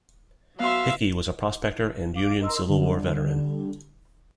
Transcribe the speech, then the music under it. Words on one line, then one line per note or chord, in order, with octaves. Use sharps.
Hickey was a prospector and Union Civil War veteran.
F#3 B3 E5 F5 C6
F5 D6 D7
A#4 D#5 C6 E6
D3 G3